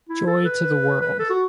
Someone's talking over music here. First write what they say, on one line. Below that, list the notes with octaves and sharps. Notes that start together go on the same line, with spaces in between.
Joy to the world!
E4
A4
B4
B4
A4
F#4